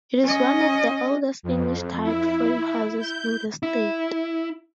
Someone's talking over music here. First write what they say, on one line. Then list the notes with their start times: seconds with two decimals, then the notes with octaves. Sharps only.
It is one of the oldest English-type frame houses in the state.
0.23 C#4 D#5
1.43 F2
2.03 E4
2.99 G6
3.63 E4